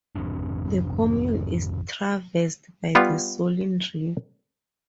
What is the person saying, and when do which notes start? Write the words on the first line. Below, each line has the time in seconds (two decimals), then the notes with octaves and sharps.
The commune is traversed by the Solin River.
0.15 G#1 F2 C3 D4
2.95 G3 B3 F4